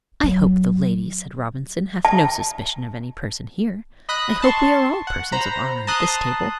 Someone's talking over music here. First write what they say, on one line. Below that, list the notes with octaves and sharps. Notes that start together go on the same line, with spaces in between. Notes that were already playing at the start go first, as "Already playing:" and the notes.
"I hope the lady," said Robinson, "hath no suspicion of any person here. I hope we are all persons of honour at this table."
F#3
A5
D#5 B5 D#6 F#6
A5 C6 C#6
F#5
C5 A#5 B5
A5 A#5 C6 D#6 F#6